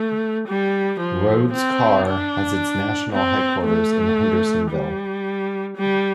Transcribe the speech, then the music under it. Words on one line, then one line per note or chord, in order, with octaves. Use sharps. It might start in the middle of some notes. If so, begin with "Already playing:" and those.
Rhoades Car has its national headquarters in Hendersonville.
Already playing: A3
G3
F3
C4
D4
C4
A3
G3
G3